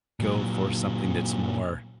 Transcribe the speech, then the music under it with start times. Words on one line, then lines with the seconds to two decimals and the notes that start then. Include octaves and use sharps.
go for something that's more
0.20 A#2 F#3